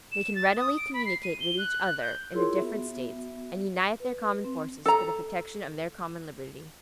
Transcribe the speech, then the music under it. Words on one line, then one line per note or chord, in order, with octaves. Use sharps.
They can readily communicate with each other in the different States, and unite their common forces for the protection of their common liberty.
E7
A6
D#6
D7
B5
C7
D#7
G7
F#6
G6
E4 F4 G#4 A#4 C#5 C6
B3 F#4 E5
B4
C4
A4 A#5